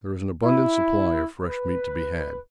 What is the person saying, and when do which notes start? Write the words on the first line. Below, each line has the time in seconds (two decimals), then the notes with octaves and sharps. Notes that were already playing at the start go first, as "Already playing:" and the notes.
There was an abundant supply of fresh meat to be had.
0.44 E4
1.46 B4